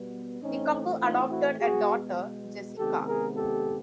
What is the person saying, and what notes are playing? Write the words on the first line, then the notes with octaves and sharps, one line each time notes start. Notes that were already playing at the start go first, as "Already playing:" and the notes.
The couple adopted a daughter, Jessica.
Already playing: B2 G3 B3
A2 E3 A3 C4 C#4 D#4
D#4 F4
E4 F#4
B2 G#3 B3 F#4 G#4
C3 D#3 G#3 B3 G4 A4
G#4 A#4
G4 A4